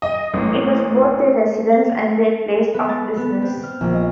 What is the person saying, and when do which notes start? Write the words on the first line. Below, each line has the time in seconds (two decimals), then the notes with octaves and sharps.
It was both their residence and their place of business.
0.02 D#5
0.34 A1
2.74 B3
2.89 A6
3.17 B3
3.42 C4
3.63 F6
3.81 A#1
3.93 D#5